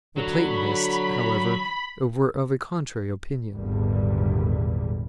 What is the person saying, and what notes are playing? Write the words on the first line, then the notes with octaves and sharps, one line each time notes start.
The Platonists however were of a contrary opinion.
D3 F#3 B5
G#1 E2 A#2 D3 G3